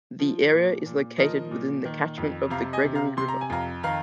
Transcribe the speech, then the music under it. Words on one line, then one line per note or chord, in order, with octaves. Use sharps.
The area is located within the catchment of the Gregory River.
F3
A#2
A#2
F3 A#4 D#5
A#2
D#3
F2
C3 F5 A#5
D#5 G#5
C3
F5 A#5
C3 C6
A#5
G#5
F2 F5 A#5
D#3 F5 A#5